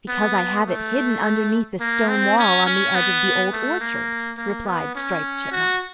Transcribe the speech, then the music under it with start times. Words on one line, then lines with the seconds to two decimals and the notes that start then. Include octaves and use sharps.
"Because I have it hidden underneath the stone wall on the edge of the Old Orchard," replied Striped Chipmunk.
0.08 B3
0.66 A3
1.80 A#3
2.09 C4
2.38 C#4
2.66 C#4
2.95 B3
3.53 A3
3.80 A#3
4.38 A#3
4.66 B3
4.95 C#4
5.51 F#4